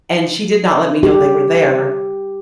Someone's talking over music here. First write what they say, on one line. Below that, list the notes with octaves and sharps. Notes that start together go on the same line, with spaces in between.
and she did not let me know they were there,
G4